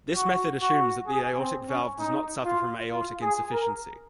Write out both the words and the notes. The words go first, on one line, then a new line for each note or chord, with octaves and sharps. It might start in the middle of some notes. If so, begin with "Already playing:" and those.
This method assumes that the aortic valve does not suffer from aortic insufficiency.
F#4
F#4
G#4
C4
C#4
D#4
F4
F4
G#4
A#4